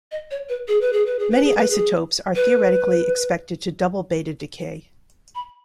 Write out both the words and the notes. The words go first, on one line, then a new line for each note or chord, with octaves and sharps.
Many isotopes are theoretically expected to double beta decay.
D#5
C#5
B4
G#4
B4
G#4
B4
G#4
B4
G#4
B4
G#4
B4
B5